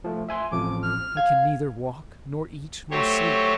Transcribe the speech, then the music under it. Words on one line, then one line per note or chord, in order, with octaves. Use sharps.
I can neither walk, nor eat, nor sleep.
F3 A3
E5 G#5 C6
A1 F2 F3 D6
F6
F5 G#6
F#3 A3 G4 C5 C#5